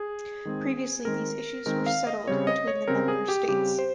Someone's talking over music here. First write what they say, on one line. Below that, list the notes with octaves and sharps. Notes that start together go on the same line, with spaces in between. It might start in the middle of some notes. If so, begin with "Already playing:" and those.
Previously, these issues were settled between the member states.
Already playing: G#4
D#3 G#3 C4
D#3 G#3 C4 A#4
D#3 G#3 C4 A#4
F5
D#5
C#3 G3 C4 C#5
D#5
C#5
C#3 G3 C4 A#4
G#4
G4
C#3 G3 C4 G4
C5